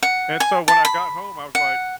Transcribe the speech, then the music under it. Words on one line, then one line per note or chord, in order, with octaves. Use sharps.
and so when I got home, I was like
F#5
G#5
A5
B5
F#5